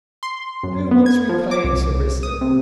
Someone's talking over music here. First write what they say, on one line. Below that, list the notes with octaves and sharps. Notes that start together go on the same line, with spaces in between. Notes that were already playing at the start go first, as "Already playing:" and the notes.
Who wants repaying, Sir Risdon?
C6
F#2
B3
G#6
F3
D6
C2
D#6
C3